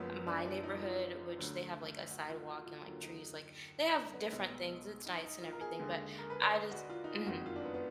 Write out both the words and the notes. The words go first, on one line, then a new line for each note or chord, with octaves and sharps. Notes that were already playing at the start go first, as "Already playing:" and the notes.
my neighborhood, which they have, like, a sidewalk and, like, trees. Like, they have different things. It's nice and everything, but I just mhm.
Already playing: F#1 F#2 F3 G#3 B3
D4
D4
D#4
F4
D2 D3 F#3
F#4
F4
F#4
F4
D#2 D3 F#3 F4
D#4
D4
B3
B1 B2 G#3 B3
D#4
D#4
F4
A#4
G#4
D#2 D3 G#3
A#4
B4
D5
D#5
F#4
F4
D#4
F4
F#1 F2 D#3 G#3 F#4
F4
D4
B3
B3